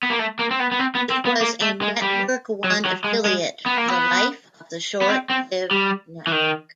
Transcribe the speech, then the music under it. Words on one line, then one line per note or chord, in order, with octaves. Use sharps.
It was a Network One affiliate for the life of the short-lived network.
B3
A#3
A3
A#3
C4
B3
B3
C4
B3
C4
B3
A#3
A3
G#3
G3
F#3
F#3
G#3
G#3
B3
A#3
B3
B3
C4
C4
G3
E3
D#3